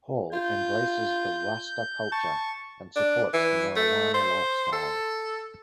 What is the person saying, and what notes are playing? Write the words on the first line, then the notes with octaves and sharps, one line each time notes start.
Hall embraces the Rasta culture and supports the marijuana lifestyle.
F4 G6
A5 C#6
D4
E3
A3
C5
A4